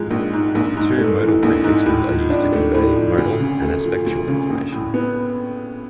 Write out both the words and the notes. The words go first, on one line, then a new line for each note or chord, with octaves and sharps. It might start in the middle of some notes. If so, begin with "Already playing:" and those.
Two modal prefixes are used to convey modal and aspectual information.
Already playing: G#2 F3 G#3
A#1
G#2
A#1
G#2
A3
E3
A#1
G#2
A2
F3
D4
A3
A2
F3
D2
C#3
A3
F3
D2
C#3
A#1
A2
B3